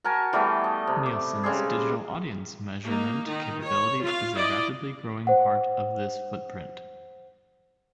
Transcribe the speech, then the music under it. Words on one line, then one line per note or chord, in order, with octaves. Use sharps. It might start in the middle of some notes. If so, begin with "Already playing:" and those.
Nielsen's digital audience measurement capability is a rapidly growing part of this footprint.
F#4 A#4 G#5 A5
E3 G3 A3 B3
D#5
C3
D6
C#3 G3 G#3 G#4
A#3 D#4
D#3 D#4
C#5
F4 F5
E4 D5 D#5
C5 F#5